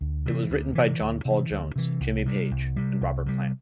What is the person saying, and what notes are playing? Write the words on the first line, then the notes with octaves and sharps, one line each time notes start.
It was written by John Paul Jones, Jimmy Page and Robert Plant.
D2
C3 E3
D2
C3 E3
D2
C3
E3
D2
C3 E3
C2
C3 G3
C2
C3 G3
C2
C3 G3